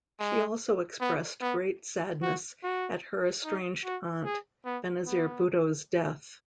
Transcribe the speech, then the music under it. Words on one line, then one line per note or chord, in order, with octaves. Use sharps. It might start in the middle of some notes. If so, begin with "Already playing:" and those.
She also expressed great sadness at her estranged aunt, Benazir Bhutto's death.
G#3
B3
B3
F#4
F#4
D#4
F#4
G#4
B3
B3